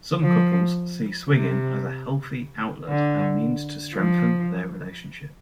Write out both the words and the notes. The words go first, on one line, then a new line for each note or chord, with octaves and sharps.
Some couples see swinging as a healthy outlet and means to strengthen their relationship.
F3
C3
D3
F3